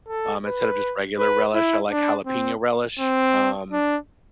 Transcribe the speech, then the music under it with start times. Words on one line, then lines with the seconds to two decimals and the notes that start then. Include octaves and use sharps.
um, instead of just regular relish- I like jalapeño relish- um,
0.08 A4
0.45 B4
1.18 B4
1.54 E4
1.91 D4
2.26 C4
2.99 C4
3.72 D4